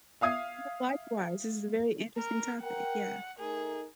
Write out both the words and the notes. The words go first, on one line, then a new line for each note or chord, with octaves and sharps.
Yeah, likewise, this is a very interesting topic, yeah.
E5 F5 D#6 G#6 C7
A#4
A#4 F#5 G5
A3 D#4 G#4 A#4